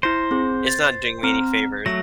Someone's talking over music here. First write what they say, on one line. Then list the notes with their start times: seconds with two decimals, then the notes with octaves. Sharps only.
it's not doing me any favors
0.03 E4 C5 A#6
0.31 C4 G#4
0.67 A6
1.23 C4 A#5 F6
1.86 F#3 A3 A#6